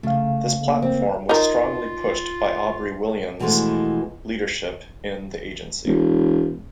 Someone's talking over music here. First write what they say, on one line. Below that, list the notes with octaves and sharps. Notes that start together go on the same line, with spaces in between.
This platform was strongly pushed by Aubrey William's leadership in the agency.
C#3 A3 F5
A#3
C4
D#4 F4 A#4
B2 E3 F3 G#3 A3 B3
E1